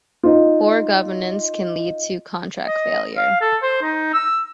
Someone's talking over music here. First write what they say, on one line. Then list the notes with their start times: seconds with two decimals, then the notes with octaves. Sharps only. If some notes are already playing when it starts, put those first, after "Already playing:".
Poor governance can lead to contract failure.
0.23 D#4 F4
2.68 D#5
3.17 F5
3.41 A4
3.63 C5
3.82 D#4
4.13 E6